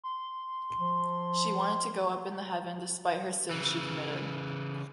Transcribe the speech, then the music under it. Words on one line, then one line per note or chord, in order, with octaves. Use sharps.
She wanted to go up in the heaven despite her sins she committed.
C6
F3
C#3 E3